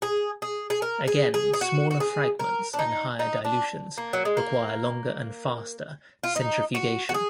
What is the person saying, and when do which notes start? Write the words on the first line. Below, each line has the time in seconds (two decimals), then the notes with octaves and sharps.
Again smaller fragments and higher dilutions require longer and faster centrifugation.
0.02 G#4
0.42 G#4
0.70 G#4
0.82 A#4
1.08 G#4
1.34 G#4
1.54 G#4
1.61 F#4
1.91 F#4
2.00 G#4
2.39 A#4
2.74 D4
2.79 D#4
3.19 D#4
3.45 D4
3.98 A#3
4.13 F#3
4.25 G#3
4.37 A#3
6.23 F4
6.36 D#4
6.75 F#4
7.09 F#4
7.14 G#4